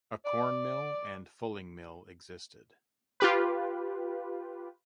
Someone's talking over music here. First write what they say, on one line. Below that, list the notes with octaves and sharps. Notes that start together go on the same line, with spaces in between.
A corn mill and fulling mill existed.
D5
F4 G4 B4